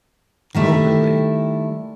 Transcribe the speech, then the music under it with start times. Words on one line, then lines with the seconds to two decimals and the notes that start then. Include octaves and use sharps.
Oh, really?
0.54 D#3 G3 A3 E4